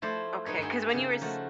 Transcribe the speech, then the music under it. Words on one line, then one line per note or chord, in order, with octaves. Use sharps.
Okay, 'cause when you were s
F3 A3 E4 C5 D5
D#4 B4 C#5
G2 G#4 E5 F#5 G5
C#3 A#3 D#4
F3 A3 F#4